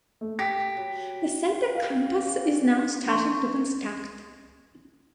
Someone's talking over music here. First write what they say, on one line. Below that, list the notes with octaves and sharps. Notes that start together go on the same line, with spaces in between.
The Center Campus is now starting to construct.
A3
A#3 G4 B6
B2 F#3
F5
E3 B3 C#4
D4 C6 C#6